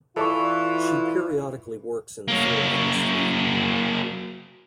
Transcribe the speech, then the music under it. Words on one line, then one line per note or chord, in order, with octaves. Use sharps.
She periodically works in the film industry.
E3 F4 A4 D5 C#6
F#3 A#3